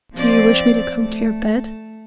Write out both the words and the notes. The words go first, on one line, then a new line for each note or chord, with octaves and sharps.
"Do you wish me to come to your bed?"
F3 C4 D5
A3